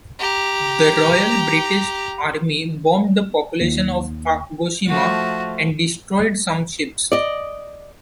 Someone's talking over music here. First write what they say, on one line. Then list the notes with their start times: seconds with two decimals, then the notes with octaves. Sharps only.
The Royal British Army bombed the population of Kagoshima and destroyed some ships.
0.19 G4 A#5
3.61 D#2
4.89 F3 A3 F#4
7.12 D5 D#5